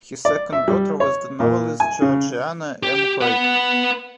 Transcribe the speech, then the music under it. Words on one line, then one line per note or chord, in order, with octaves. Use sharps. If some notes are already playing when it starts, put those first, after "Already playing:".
His second daughter was the novelist Georgiana M. Craik.
D5
E5
G3
C#5
A#2
G#5
C#3
G4
B4 F#5